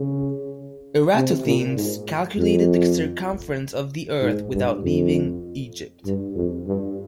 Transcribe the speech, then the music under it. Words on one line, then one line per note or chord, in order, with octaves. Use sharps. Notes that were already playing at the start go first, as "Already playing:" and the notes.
Eratosthenes calculated the circumference of the Earth without leaving Egypt.
Already playing: C#3
C3
A#2
G#2
F2
G#2
G2
F2
G2
F2
G2